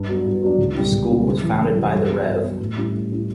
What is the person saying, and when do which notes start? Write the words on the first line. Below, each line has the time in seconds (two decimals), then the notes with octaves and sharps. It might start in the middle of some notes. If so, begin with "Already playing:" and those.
The school was founded by the Rev.
Already playing: G2
0.09 F#3 B3 D4
0.26 G2
0.43 F#3 B3 D4
0.58 C#2
0.75 B2 G3 C#4 E4
0.92 C#2
1.09 B2 G3 C#4 E4
1.26 C#3
1.42 E3 G3
1.59 C#3
1.75 E3 G3
1.93 G2
2.09 F#3 B3
2.26 G2
2.43 F#3 B3
2.60 A2
2.77 G3 C#4 E4
2.92 A2
3.10 G3 C#4 E4